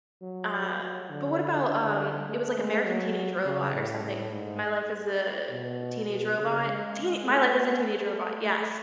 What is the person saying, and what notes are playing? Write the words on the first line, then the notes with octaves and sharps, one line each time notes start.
uh, but what about, um, it was, like, American Teenage Robot or something. My Life as a Teenage Robot, Teen My Life as a Teenage Robot, yes.
F#3
F#3
D3
D3
A3
G#3
F#3
C#3
A2
A2
G#2
B2
B2
C#3
G#3
A3
B3
A3
A3